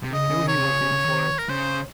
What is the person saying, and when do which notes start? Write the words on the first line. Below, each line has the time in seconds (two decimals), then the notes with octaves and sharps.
He knew he was in for it.
0.03 C3
0.13 C#3 D#5
0.30 C#3
0.47 C3 C#5
0.64 C#3
0.81 C#3
0.92 C#3
1.04 D#3
1.38 A#4
1.49 C#3 C5